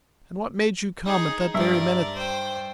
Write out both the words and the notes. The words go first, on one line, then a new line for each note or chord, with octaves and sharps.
And what made you come at that very minute?
D#4 G#4
G2 A#4 D5 E5 E6
C5 G5